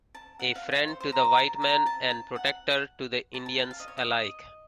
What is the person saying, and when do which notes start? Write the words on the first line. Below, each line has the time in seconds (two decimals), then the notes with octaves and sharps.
A friend to the white man and protector to the Indians alike.
0.15 A5
0.39 F#5
0.56 F5
0.71 C#5
0.88 C5
1.00 C5
1.12 A#5
1.25 A#5
1.37 A5
1.62 A#5
1.86 A5
2.11 A5
2.36 F#5
3.34 A5
3.46 A5
3.59 A5
3.71 F5
3.80 D#5
3.88 C#5
3.98 D#5